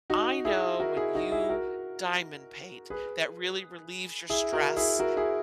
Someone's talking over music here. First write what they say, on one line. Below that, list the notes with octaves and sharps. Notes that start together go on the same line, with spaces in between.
"I know when you diamond paint that really relieves your stress
D#4 F#4
E4 G#4
F#4 A#4
E4 G#4
D#4 F#4
E4 G#4
F#4 A#4
G#4 B4
E4 G#4
F#4 A#4
E4 G#4
F#4 A#4
E4 G#4